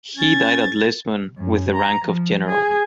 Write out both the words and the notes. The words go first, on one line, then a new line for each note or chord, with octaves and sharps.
He died at Lisbon with the rank of General.
C#4 G#6 A6
F#2
A#5
F3
G#4